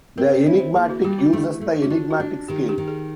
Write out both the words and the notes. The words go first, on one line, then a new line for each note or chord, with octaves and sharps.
"The Enigmatic" uses the enigmatic scale.
C4 A#4
C5
E4 C#5
C5
A#3 G#4
F#4
G3 G4
F#4
A3 E4
A3
F#4
D4 F4
F#4
D4
D#3 G4
G4
D#3
G#4